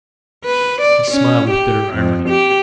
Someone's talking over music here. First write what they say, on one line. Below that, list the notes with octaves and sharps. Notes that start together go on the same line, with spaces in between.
He smiled with bitter irony.
B4
D5
C#4
G4
F2
G4